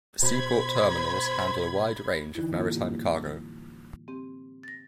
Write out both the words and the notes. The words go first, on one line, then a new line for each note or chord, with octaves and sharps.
Seaport terminals handle a wide range of maritime cargo.
B2 C5 B5 G#6
D3 E3 D#4 E4
A2 F#3 A#3 C4 F4
G3 A#3 G4
C4 G4
A6 A#6